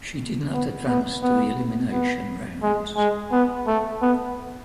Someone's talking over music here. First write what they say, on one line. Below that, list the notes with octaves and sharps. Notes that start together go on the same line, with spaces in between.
She did not advance to the elimination rounds.
B3
B3
B3
B3
G#3
G#3
B3
A3
B3